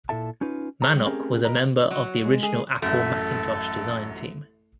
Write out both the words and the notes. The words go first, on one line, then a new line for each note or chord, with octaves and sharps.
Manock was a member of the original Apple Macintosh design team.
A#2 E4 A4 E5 A5
C#4 D#4 F4 B4
G#4 C5 A5 A#5
G3
A3 C4 C#4 G4 G#4 A#4
A#4 B4 D#5 A#5
F#3
G#3
G#4
A1 F#2 A3 A4